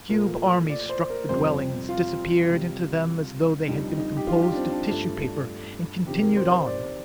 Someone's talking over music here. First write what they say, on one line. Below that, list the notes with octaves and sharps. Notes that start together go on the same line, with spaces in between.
The cube-army struck the dwellings, disappeared into them as though they had been composed of tissue paper, and continued on!
A#2 F3 A3 A#4
D5
C5
A#4
F2 C3 G3 C5
F4
C3 G3
F2 D3 G3 D#4
D#4
G4
F4
G4
D4
C4
D4
G2 F3 A3
F2 C3 D#3 G4
A#4
C5
C5
D5